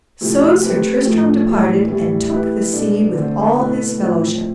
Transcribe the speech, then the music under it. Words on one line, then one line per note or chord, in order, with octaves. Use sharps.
So Sir Tristram departed and took the sea with all his fellowship.
C3 F3 A3 E4
A3 C4 G4 B4
A2 F3 A3
A2 E3 G3
A2 E3 G3
A3 E4 G4 B4
B2 B3 D4 A4
D3 A3 C4
B2 A3 E4 B4
A2 F3 C4